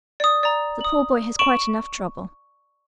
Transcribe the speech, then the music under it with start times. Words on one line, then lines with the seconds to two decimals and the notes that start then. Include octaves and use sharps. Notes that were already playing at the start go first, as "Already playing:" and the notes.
"The poor boy has quite enough trouble."
0.20 D5 D#6
0.43 D5 A#5
0.81 D#6 F#7
1.39 C#6 D7 E7 F#7